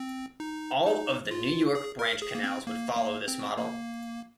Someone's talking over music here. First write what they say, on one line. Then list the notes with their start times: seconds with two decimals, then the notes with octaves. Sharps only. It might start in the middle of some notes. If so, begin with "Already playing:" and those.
All of the New York branch canals would follow this model.
Already playing: C4
0.40 D#4
0.85 D#4
1.31 F4
1.75 G#4
1.99 A#4
2.22 G#4
2.35 A#3
2.43 C4
2.67 A#3
2.97 A#3
3.28 C4
3.57 A#3